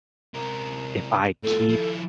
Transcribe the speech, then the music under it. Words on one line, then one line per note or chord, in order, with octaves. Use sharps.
if I keep
C3 A#4
A2 F4 A4
F3 E4